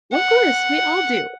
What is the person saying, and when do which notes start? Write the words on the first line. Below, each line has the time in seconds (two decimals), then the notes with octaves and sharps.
O of course, we all do.
0.13 F#5